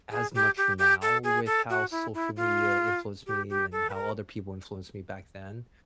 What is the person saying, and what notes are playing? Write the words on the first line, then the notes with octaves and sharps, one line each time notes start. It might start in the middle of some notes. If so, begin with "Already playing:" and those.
as much now with how social media influenced me and how other people influenced me back then.
G#4
G4
G4
G4
A4
G#4
A4
F#4
E4
E4
F4
G4
G4
A4
B4
A#4